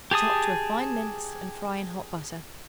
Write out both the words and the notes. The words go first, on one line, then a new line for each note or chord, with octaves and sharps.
Chop to a fine mince and fry in hot butter.
G4 G#4 A5 D#6